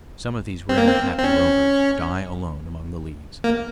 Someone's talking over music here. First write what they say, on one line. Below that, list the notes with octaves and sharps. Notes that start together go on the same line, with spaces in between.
Some of these rare, happy rovers die alone among the leaves.
C4
A#3
C4
C4
C#4
A#3